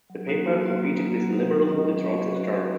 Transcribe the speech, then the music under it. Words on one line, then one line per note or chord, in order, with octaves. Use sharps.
The paper competed with the liberal "The Toronto Star".
F#3
A#3 D#4 F#4
F#3
A#3 D#4 F#4
F#3
A#3 D#4 F#4
F#3
A#3 D#4 F#4
F#3
C#4 F#4 B4 D#5
F#3
C#4 F#4 B4 D#5
F#3
C#4 F#4 B4 D#5
F#3